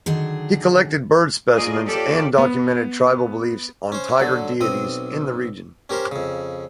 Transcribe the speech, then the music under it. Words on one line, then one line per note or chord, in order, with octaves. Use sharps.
He collected bird specimens and documented tribal beliefs on tiger deities in the region.
D3 D#3 F#3 G#4
A#3 F4 G#4 D5 D#5
F4 G4 A4 C#5 D5
B3
C#4 C5
D3 F#3
B1 C4 D#6
C#4 G4 A#4 C5
F2 C#3